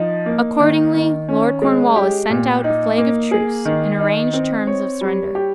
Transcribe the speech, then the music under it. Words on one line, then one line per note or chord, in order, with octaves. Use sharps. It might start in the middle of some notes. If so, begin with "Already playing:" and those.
Accordingly Lord Cornwallis sent out a flag of truce and arranged terms of surrender.
Already playing: F3 D#4
A#3
D#3
D#3
C#4
G#3
G4
A#2
D#4
A#3
G#4
D#3
D#4
C4
C#5
G3
G4